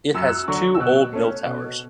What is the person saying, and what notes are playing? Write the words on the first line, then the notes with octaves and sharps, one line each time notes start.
It has two old mill towers.
F#2 E6
F#6
E6
D3 F#3 C#6
E6
B2 F#6
A3 C#4
B2